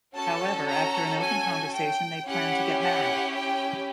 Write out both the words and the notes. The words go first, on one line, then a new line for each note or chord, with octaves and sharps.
However, after an open conversation they plan to get married.
C#4 F#4 A4 A5
A#5
G#5
G5
C#4 E4 G4 F#5
F#5
G5